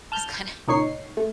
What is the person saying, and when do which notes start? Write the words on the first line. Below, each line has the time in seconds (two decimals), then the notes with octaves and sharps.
he's gonna
0.12 A5 F6 G6
0.67 C#2 A#2 D#4 C#5 C#6 C7
1.17 A3